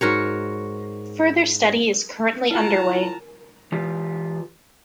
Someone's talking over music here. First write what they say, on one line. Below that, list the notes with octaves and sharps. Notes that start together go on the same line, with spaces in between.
Further study is currently underway.
G#2 F#4 A#4 C#5
E4 F4 A5 A#5
E3 F4 G4